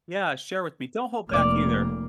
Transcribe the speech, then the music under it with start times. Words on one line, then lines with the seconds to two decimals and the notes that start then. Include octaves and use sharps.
yeah, share with me. Don't hold back either.
1.29 F1 A#3 D5 F6